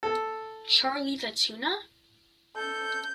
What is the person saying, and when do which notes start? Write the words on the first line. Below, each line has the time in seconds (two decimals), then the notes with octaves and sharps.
Charlie the Tuna?
0.03 A4
2.56 A4 G6